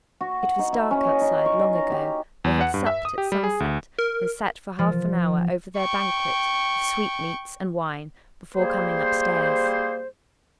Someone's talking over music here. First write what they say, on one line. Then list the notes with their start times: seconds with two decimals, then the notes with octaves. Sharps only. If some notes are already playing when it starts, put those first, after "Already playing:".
It was dark outside long ago; they had supped at sunset, and sat for half an hour over their banquet of sweetmeats and wine before coming upstairs.
0.21 F#4
0.43 F#5
0.59 D#4
0.73 E4
0.91 C#4
1.07 D#5
1.21 D#4
1.46 C#6
1.59 D#5
1.75 A#5
1.92 G4
2.44 E2
2.61 F#5
2.74 G2
2.86 E5
3.05 D#6
3.18 G4
3.32 G3
3.44 G#4
3.60 D2
3.99 A#4
4.79 F3
5.77 G5 C#6
8.56 G3 A#3 G#4 C5